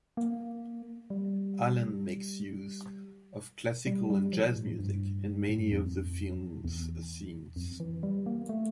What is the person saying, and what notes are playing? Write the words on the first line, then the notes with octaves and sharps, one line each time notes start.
Allen makes use of classical and jazz music in many of the film's scenes.
A#3
G3
G3
G3
F3
A2
G2
A2
G2
F2
E2
F2
E3
G3
A#3
A3